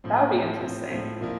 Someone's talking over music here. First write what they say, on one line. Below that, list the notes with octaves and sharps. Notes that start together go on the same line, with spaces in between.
That would be interesting.
A2 F3 C4
A2 F3 C4
A2 F3 C4
A2 F3 C4
A#2 F3 A#3 E4